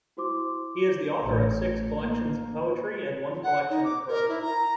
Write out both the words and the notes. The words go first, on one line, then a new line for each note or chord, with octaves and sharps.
He is the author of six collections of poetry and one collection of prose.
E4 F#4 C5 C6 D6
A1
A#3
F#5
D#4
D6
A#4
E4
A#5